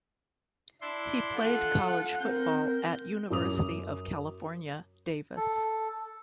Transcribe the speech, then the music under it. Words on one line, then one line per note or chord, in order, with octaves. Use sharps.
He played college football at University of California, Davis.
D4 E4 C6
F4 A4 F#5
C4 A#4 G6
F#2 D6 D#6 F7
A4